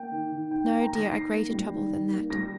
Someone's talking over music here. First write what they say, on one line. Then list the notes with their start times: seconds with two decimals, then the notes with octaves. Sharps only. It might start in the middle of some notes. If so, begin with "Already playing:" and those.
'No, dear; a greater trouble than that.
Already playing: A#3 G5
0.11 D#3
0.32 D#3
0.51 D#4 G5
0.66 A#3 G5
0.80 A#5
0.91 D#3 A#6
1.11 D#3 C7
1.31 A#3
1.50 G3
1.71 D#3
1.90 D#3
2.11 A#3
2.30 G3 A#6